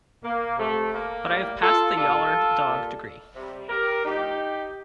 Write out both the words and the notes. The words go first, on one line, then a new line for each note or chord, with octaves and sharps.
But I have passed the yaller dog degree.
A#3
C3 F3 A3
A#3
A2 G3
F4 A4
A#2 G3 F4 A4
A#2 G3
C3 G3
G4 A#4
A2 F3 D#4 G4